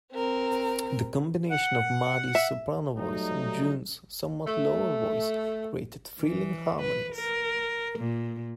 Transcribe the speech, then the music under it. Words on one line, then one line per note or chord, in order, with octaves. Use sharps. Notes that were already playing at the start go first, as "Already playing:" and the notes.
The combination of Maddy's soprano voice and June's somewhat lower voice created thrilling harmonies.
C4 A#4
F#5
E5
F#3 G3 A3 D#4
A3
E3
B4
A#4
A#2